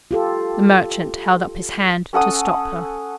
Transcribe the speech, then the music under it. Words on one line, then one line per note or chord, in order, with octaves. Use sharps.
The merchant held up his hand to stop her.
F4 G4 A4
C#4 A4 F#5 D#6